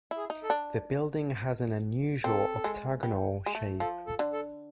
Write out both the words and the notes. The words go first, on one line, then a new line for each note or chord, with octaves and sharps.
The building has an unusual octagonal shape.
E4
G#4
D#4
A4
D4
C4 A4
G#3
G3
G#3
A3
F3 A4
A4
D3
A4